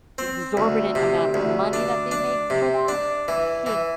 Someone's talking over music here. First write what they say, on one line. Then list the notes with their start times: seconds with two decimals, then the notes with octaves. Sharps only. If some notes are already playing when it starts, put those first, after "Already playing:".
exorbitant amount of money that they make for that should
0.18 C4
0.57 D2
0.95 C3
1.34 D2
1.73 D4
2.11 D4
2.50 C3
2.88 D4
3.28 E3
3.66 E3